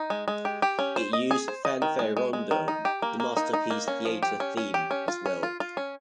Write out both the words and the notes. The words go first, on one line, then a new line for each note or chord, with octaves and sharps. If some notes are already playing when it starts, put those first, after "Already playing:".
It used "Fanfare-Rondeau", the Masterpiece Theatre theme, as well.
Already playing: D#4
G#3
G#3
G4
G4
C#4
C5
D#5
G#4
C5
D#5
D#3
G#3
G#3
G#3
D#3
D#4
G4
A#3
A#3
D#4
D#4
A#3
C#4
F3
G4
C#4
C#4
G4
C#4
F4
C#4
F4
F4
C#4